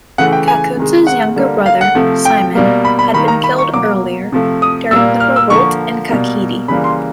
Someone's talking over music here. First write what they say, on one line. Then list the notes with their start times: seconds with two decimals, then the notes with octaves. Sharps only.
Kakutsa's younger brother, Simon, had been killed earlier, during the revolt in Kakheti.
0.18 C#3 E3 A3 F#5
0.33 G5
0.48 G#5
0.77 C3 D#3 G#3
1.07 F#5
1.36 D3 G3 A#3
1.66 F5
1.81 F#5
1.95 C3 F3 A3
2.25 G5
2.55 B2 G3 A#3
2.85 B5
2.99 B5
3.14 D#3 G3 A#3 B5
3.28 A#5
3.44 B5
3.58 C#6
3.73 B2 F#3 A#3 D6
4.32 C3 F3 A3
4.62 D#6
4.91 A#2 G3 A#3 E6
5.20 F6
5.36 E6
5.50 D3 F3 A#3 C#6
6.09 B2 G3 A#3
6.68 C#3 E3 G3 A#3 B5
6.84 C6